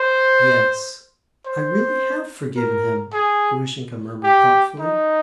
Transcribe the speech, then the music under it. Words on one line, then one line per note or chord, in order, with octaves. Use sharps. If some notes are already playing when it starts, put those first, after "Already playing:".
"Yes, I really have forgiven him," Grushenka murmured thoughtfully.
Already playing: C5
C5
A#4
G#4
G4
D#4